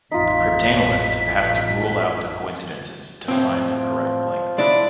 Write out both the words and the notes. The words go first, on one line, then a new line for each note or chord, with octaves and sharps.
The cryptanalyst has to rule out the coincidences to find the correct length.
A1 F2 A2 D#4 F4 B6
A2 F3 C4
G#3 D4 E4 D5